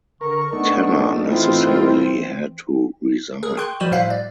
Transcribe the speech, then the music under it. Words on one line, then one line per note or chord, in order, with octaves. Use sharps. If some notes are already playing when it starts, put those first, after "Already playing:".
Tanner necessarily had to resign.
D3 A#4 C#6
A3 B3 D4 D#4
E3 C4 E4 F4
G#4 A#4
G5 C6 C#6 F#6
F3 G3 F#4 B5 D#7 E7
A2 G3 C5 E5 F5 F#6
D5